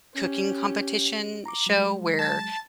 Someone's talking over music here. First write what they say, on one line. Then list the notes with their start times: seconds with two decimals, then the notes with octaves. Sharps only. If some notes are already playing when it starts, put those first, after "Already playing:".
cooking competition show where
0.15 C#4 G4
1.46 A#5 D6
1.67 F#3 G#3
2.19 A5 A6